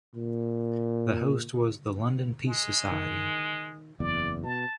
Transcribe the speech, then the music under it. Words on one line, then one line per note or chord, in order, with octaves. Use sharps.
The host was the London Peace Society.
A#2
G#3
D#3
F#1 E2 D5
B2 A5